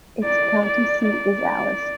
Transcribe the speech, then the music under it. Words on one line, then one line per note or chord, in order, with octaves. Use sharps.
Its county seat is Alice.
D5
D5
D5